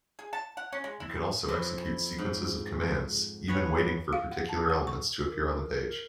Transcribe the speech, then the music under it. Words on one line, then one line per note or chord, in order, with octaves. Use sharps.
You can also execute sequences of commands, even waiting for particular elements to appear in the page.
G#4
A5
F#5
C#4
G#3
E4
F2 E4 C6
G#2
B3 C#5 G#5
F5
F#5
A5
F#5
C#6
A#4